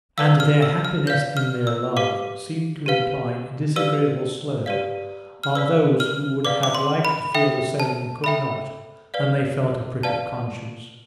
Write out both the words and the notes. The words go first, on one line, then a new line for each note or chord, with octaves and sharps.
And their happiness in their love seemed to imply a disagreeable slur on those who would have liked to feel the same and could not--and they felt a prick of conscience.
B4 D5 F5 E6
F6
E6
F6
B4 D5 F5 G6
F6
E6
G4 B4 F5 D6
G4 B4 F5
G4 B4 D5 F5 E6
G4 B4 D5 F5
F6
B4 D5 F5 E6
F6
B4 D5 F5 D6
D6
C6
B5
A4 E5 G5
A5
A4 E5 G5 B5
B4 D5 F5
B4 D5 F5 A5